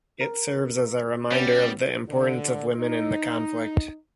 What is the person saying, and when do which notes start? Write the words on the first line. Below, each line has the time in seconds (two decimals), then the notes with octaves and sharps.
It serves as a reminder of the importance of women in the conflict.
0.21 A#4
1.31 G3 B3 C#4
2.08 D3
2.75 D#4